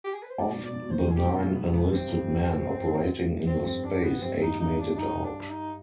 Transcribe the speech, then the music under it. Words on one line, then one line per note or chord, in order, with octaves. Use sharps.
Of the nine enlisted men operating in the space, eight made it out.
G4
G#4
B4
C5
G#2 D5
B2
G#2
B2 D5
G#2
B2
G#2 C5
B2
G#2 G#4
B2 G4
G#2
B2 F4
G#2
B2
G#2 B3
B2
G#1 G#2 B3
G#2 C4
G2
F2
G2
G#2 C4
G2
F2
G2 C4
D4
B3
G2 C4
D#4
G2 D#4
D4
D4
G2 D#4
D4
D#4